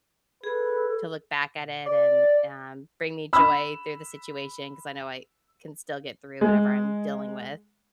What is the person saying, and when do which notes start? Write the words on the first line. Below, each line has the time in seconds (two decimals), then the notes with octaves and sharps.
to look back at it and, um, bring me joy through the situation, 'cause I know I can still get through whatever I'm dealing with.
0.44 G#4 A4 B4
1.86 D5
3.33 B5 E6
6.41 G#3